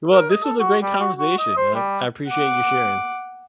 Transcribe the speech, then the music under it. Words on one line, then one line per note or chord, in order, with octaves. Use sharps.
Well, this was a great conversation, uh, I appreciate you sharing.
A#4
D#5
A4
F#4
G3
F#4
F#4
D#5
C5
G3
F#5 D6